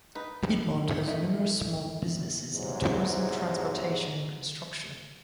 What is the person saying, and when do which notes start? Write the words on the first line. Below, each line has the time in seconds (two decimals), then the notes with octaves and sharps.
Piedmont has numerous small businesses in tourism, transportation, and construction.
0.15 D#4 B4
1.08 G2 A3 E4 D#5
2.53 E2 G#2 C3 F#3